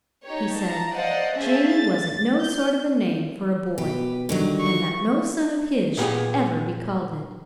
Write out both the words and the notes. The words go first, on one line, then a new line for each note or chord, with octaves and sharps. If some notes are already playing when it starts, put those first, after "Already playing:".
He said 'Jamie' wasn't no sort of a name for a boy, and that no son of his should ever be called it.
D#4 G4 C#5
A5 A#5
C5 D5 D#5 F5 F#5
C#4 G#4 C5 E5 F5 A5
A6
G6
B2 G4 B4
D3 D#3 F#3 G3
C#6
A#2 B3 G4 G#4